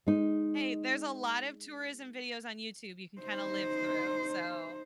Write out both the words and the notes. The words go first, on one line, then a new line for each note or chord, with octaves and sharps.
Hey, there's a lot of tourism videos on YouTube you can kinda live through, so
G#3 D#4
D#4 C5